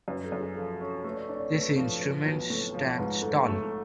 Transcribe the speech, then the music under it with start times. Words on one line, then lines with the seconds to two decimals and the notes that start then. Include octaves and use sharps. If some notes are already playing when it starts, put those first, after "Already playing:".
This instrument stands tall.
0.08 F#2 B4
0.24 A4
0.32 F#2
0.40 G#4
0.56 F3 A4
0.80 C#4 A4
1.04 A3 B4
1.11 C#5
1.16 D5
1.29 D4 C#5
1.35 D5
1.40 C#5
1.53 A3 B4
1.77 F3 B4
1.96 B4
2.01 F3 C#5
2.26 B1 B4
2.50 A2 A4
2.74 F3 C#5
2.98 G#2 B4
3.22 G#2 A4
3.46 A3